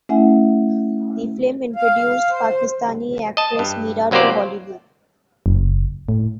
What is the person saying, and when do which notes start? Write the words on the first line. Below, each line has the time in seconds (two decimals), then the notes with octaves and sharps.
The film introduced Pakistani actress Meera to Bollywood.
0.09 A3 C#4 E4 E5 F#5 G#5
1.76 F5
2.30 C5
3.37 D#5 A5
3.59 G2
4.11 C2 F#3 A#3 G4 C5 D5
5.46 F#1
6.09 A2